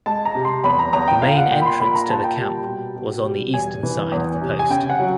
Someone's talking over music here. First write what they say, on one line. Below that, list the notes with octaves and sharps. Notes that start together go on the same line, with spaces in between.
The main entrance to the camp was on the eastern side of the post.
G#3 A5
A#5
C3
C6
E2 B5
A#5
E2 A#5
G5
A#2 F5
F#5
A#2 G5
B5
C6
A#2 B5
A#5
A#2 A5
G5
G3
B2
B2
G3
E2 G#5
E3
E2
C3
G#5
C#3 G5
F#5
F#3